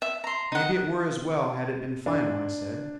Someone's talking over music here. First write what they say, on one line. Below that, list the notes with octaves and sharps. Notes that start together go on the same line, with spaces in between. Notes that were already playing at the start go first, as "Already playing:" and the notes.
"Maybe it were as well had it been final," I said.
E5
A#5 C6
D#4 F#5
D4